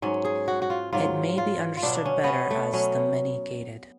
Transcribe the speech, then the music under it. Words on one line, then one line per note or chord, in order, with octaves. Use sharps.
It may be understood better as the "Many Gated".
G#2 F#3 C#4
G#4
F#4
F#4
F4
G#2 F#3 F4
F4
F4
B2 F#3 D4
D4
C#4
B3 C#4
A3
B2 F#3 C#4